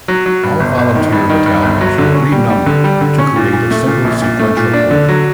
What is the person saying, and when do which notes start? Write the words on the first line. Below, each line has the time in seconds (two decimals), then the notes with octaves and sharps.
All volunteer battalions were renumbered to create a single sequential order.
0.08 F#3
0.26 F#3
0.43 G2
0.60 G1
0.77 G1
0.95 D#3
1.12 G2
1.30 D#3
1.46 G2
1.63 G1
1.81 F#3
1.98 D3
2.15 C#4
2.32 G3
2.50 G3
2.66 D3
2.84 G3
3.01 D3
3.18 C#4
3.36 A#2
3.53 A#2
3.71 A3
3.87 A#2
4.04 A#1
4.22 A#2
4.39 A3
4.57 A#2
4.74 D4
4.91 D3
5.09 F#3